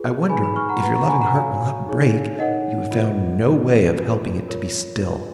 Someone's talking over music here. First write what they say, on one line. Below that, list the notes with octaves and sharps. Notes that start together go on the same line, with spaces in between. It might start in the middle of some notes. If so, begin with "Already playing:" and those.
I wonder, if your loving heart will not break, you have found no way of helping it to be still!
Already playing: F4 G#4 B4
D#4 G#4 B4 G#5 B5
G#5 B5
C#6 F6
F#5 A#5
F4 B4 F#5 A#5
A#5 C#6
G#5 B5
F#5 A#5
F#4 C#5 F5 G#5
D#4 G#4 C#5
D#4 A#4 C#5 D#5 F#5
F4
B4
F4 B4
F4 B4
F4 A#4 C#5
F4 B4